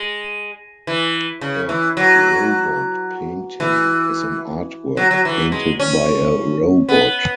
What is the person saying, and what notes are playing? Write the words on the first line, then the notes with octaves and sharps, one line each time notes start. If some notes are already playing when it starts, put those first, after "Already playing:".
A "robot painting" is an artwork painted by a robot.
Already playing: G#3
E3
C#3
E3
F#3
E3
F#3
F#3
E3
G#3
C#4
B3